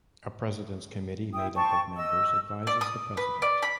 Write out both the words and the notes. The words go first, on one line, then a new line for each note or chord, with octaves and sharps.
A President's Committee, made up of members, advises the president.
E4 G5 D#6
C5 G5 A5 C#6
D#5 E6
D5
D#6
B4
D5
B5